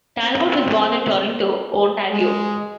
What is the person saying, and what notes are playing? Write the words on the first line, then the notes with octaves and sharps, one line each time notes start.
Talbot was born in Toronto, Ontario.
C4
G#3